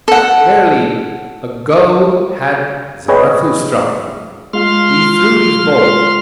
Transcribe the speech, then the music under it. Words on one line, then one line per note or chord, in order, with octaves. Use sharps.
Verily, a goal had Zarathustra; he threw his ball.
A4 F#5
G#4 B4 C#5 D#5 G5
G#3 F4 F5 C6 F6